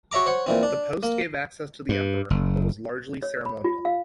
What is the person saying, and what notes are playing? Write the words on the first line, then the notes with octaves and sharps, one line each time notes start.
This post gave access to the emperor but was largely ceremonial.
F#4 C#5 E5 A#5 D6
C5 C#5 F#5
A#2 E3 C4
D4
A#3
G2
F#1
C#5
B5
F4
F5